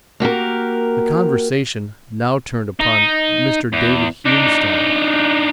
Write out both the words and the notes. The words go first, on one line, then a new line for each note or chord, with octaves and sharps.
The conversation now turned upon Mr. David Hume's style.
A#3 F#4 G4 A#4
D#4
E2
D4 D#4